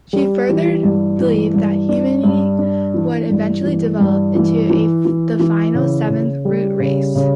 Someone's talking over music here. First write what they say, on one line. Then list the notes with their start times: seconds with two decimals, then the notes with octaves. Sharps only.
She further believed that humanity would eventually develop into the final, seventh Root Race.
0.13 G3
0.49 E3
0.83 G2
1.19 E3
1.54 G2
1.89 D4
2.24 G2
2.59 D4
2.94 E3
3.30 G2
3.64 E3
3.99 G2
4.35 E3
4.70 E3
5.05 E3
5.40 E3
5.74 C#3
6.09 C#3
6.45 G3
6.80 C#3
7.15 C#3